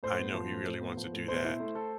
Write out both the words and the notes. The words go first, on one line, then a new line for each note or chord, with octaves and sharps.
I know he really wants to do that,
A2 C5
B3
F3
A2
A2
B3
F3
A2
B2 C5
E4
A3
A4